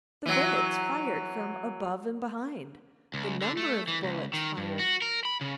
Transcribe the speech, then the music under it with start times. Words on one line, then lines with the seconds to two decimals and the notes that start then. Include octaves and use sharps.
The bullets fired from above and behind. The number of bullets fired.
0.26 E3 F#3
3.14 C#2
3.42 D3
3.57 A3
3.88 E3
4.03 C#2
4.33 D#3
4.57 G2
4.79 F#4
5.02 A#4
5.25 B5
5.41 C#3